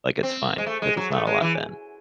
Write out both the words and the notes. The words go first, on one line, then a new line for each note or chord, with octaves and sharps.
like, it's fine because it's not a lot then.
C4
G#3
A3
G#3
F#3
A3
G#3
E3